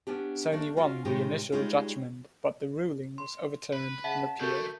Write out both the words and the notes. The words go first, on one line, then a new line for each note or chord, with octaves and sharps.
Sony won the initial judgment, but the ruling was overturned on appeal.
B3 C#4 D4 G4
A3 A#3 D4
C#4 F4 F#4 F5
A2 C3 D#3 G#3 F4 G4
G3 G#3 C#4 D#4 F4 G4
C6
B4
C#3 E5 F#5 A5 B6
D3 A3 F#4 A4 A#4 G6